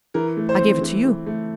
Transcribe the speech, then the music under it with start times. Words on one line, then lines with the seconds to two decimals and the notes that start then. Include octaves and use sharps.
I gave it to you.
0.14 E3 A#4
0.37 A3
0.49 C5
0.60 C4
0.82 E3
1.05 E3
1.26 A3